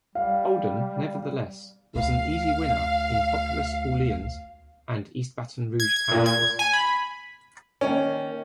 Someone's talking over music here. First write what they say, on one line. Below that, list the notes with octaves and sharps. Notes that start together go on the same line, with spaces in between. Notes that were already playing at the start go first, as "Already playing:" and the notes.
Holden nevertheless was an easy winner in populous Orleans and East Baton Rouge parishes.
G3 F5
D2 F5
G#6
G#6
A#2
G#6
G#5
B5
D#3 A#3 C#4